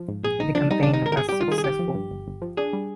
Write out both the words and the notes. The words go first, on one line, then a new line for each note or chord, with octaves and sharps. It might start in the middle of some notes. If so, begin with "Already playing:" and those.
The campaign was successful.
Already playing: F3
G#2
A#1 G#4
A#1 D#4
F3 D4
G3 D#4
D#3 D4
D#4
G#2 A#4
A#4
G#1 G#4
G3 G4
F4
D#3 G#4
G#4
G1 G4
F3
G2
G1
G1
F3
D4 G#4
G3